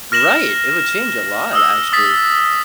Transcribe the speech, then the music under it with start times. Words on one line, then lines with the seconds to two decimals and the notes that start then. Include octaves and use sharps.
Right. It would change a lot, actually.
0.12 F6 A#6 E7 F#7
1.53 D#6 E6
1.92 D#6 A6 B6